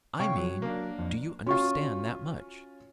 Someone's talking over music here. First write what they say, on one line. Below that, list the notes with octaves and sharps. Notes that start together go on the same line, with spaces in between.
"I mean, do you understand that much?"
C3 C#5 F5 G5 C#6
F#3
A#3 D4
F2
C#4 F4 F#4 C#6